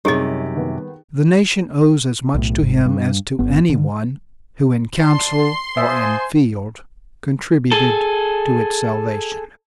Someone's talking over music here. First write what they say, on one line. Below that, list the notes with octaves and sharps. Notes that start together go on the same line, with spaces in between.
The nation owes as much to him as to any one who in council or in field contributed to its salvation.
F#2 C3 G3 C#4 D#4 G4 G#4 D#5
D#3 B3
B1 A2
G1 G#2
G2
G1 B3
D3 D#3
D5 A5 C6
C5 E5 F5 G#5 A5 D#6
G#4 A4